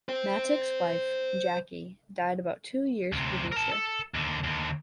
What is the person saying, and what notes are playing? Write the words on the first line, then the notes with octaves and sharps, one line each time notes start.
Mattick's wife Jackie died about two years previously.
C5 G5
D2 C3
A#4 A5
A4
D#2 D3
D#2 D3